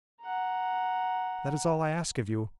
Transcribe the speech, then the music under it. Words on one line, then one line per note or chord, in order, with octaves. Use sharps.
That is all I ask of you.
F#5 A#5